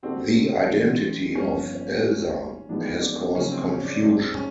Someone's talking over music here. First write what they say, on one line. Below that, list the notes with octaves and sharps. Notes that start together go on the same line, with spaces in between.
The identity of "Elsa" has caused confusion.
D3 G3 A#3 C4 D4 F#4
G#1 G#2 E3 G#3 C#4
G1 G2 D3 F3 A#3 C#4
G#2 D#3 G3
A1 G#2 F3 G#3 B3 D4
D4
F#2 C#3 F3 A#3 C#4 D#4
C4
C#4
D4
G#1 G2 D#3 G#3 C4 D4
C#4